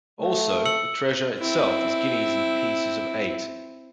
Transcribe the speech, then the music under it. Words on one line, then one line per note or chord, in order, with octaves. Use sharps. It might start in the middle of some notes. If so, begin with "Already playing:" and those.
Also, the treasure itself is guineas and pieces of eight.
A3
E6 C#7 F#7
C4 E4